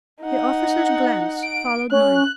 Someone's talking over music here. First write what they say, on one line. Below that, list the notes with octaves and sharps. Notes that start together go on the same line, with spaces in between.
The officer's glance followed mine.
D#4 F#5
D7
C#4 F#6